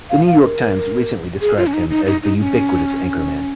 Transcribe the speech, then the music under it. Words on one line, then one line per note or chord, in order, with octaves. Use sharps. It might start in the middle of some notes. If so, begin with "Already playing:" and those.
The New York Times recently described him as the ubiquitous anchorman.
F5
F5
A#4
G#4
F4
C#4
D#4
D#4
D#4
D#4
C#4